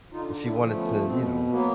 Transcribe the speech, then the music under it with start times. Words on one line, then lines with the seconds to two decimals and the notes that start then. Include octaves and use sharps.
if you wanted to, you know
0.12 D3 D#4 F4
0.43 D4 E4
0.59 F3 A3
0.74 B3 C#4
1.05 B2 C4
1.51 F#3 A#3 B3